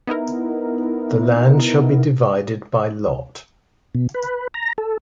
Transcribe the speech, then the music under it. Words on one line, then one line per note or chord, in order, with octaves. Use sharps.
The land shall be divided by lot.
B3 D#4 E4 A#4
B2
B4
A#5
A4